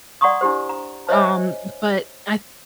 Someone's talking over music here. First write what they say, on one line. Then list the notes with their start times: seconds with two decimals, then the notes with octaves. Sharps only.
um, but I
0.21 D5 F#5 A#5 C6 C#6 D#6
0.41 D4 E4 G4 C5
0.69 A#5
1.09 C5 C#5 D#5 E5 G#5